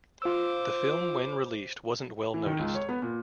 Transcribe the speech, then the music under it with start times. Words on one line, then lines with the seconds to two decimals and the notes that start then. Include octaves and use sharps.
The film when released wasn't well noticed.
0.22 F4 C5 D6 E6
2.34 E3
2.46 D#3
2.59 C#2
2.75 C#5
2.89 B3
3.02 A#2